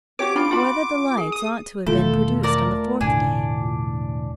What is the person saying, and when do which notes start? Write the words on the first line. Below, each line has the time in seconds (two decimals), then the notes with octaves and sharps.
Whether the Lights Ought to Have Been Produced on the Fourth Day?
0.19 F#4 G4 C#5 D6
0.36 D4 F4 B5
0.51 F4 F#4 B5
1.17 G#4
1.32 D#6
1.87 E1 E2 D#3 A3 F4 A4
2.43 A#4 D5 A5
3.01 E1 A2 D3 D4 G#5